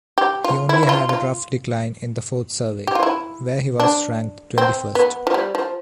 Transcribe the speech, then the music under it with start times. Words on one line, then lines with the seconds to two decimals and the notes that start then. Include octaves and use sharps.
He only had a rough decline in the fourth survey, where he was ranked twenty-first.
0.18 G4
0.44 F4
0.69 E4
0.83 E4
0.89 F4
1.09 F4
2.87 G4
2.95 F4
3.03 E4
3.80 D4
4.58 C4
4.95 B3
5.27 F3
5.34 G3
5.55 F3